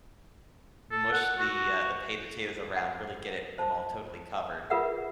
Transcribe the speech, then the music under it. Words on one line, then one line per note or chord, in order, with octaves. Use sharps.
mush the, uh, the pa the potatoes around, really get it them all totally covered.
A4
F#5
F#4
F#5
C5 A5
F4 G#4 A#4 B4 E5 F#5